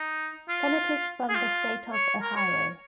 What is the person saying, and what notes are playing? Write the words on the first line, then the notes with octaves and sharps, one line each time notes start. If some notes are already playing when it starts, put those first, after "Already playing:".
Senators from the state of Ohio.
Already playing: D#4
F4
G#4
F4
C#5
A#4
C#5